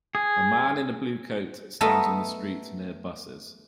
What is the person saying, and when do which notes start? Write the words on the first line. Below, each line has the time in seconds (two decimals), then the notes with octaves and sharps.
A man in a blue coat stands on the street near buses.
0.15 G#4
1.81 A3 B3 A4 A#4 D#5 A5